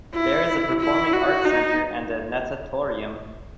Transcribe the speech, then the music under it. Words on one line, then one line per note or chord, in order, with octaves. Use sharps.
There is a Performing Arts Center and a Natatorium.
E4
E4
F#4
D#4